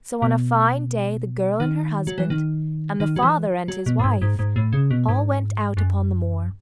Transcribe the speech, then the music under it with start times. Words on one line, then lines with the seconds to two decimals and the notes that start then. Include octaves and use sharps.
So on a fine day the girl and her husband, and the father and his wife all went out upon the moor.
0.22 B2
1.60 D#3
2.07 F#3
2.18 E3
2.30 D#3
3.00 D#3
3.16 F#3
3.23 E3
3.68 F#3
3.86 B2
3.99 A2
4.04 G#2
4.22 G#2
4.39 G#2
4.56 A2
4.72 C#3
4.91 B2
5.08 G#2
5.77 F#2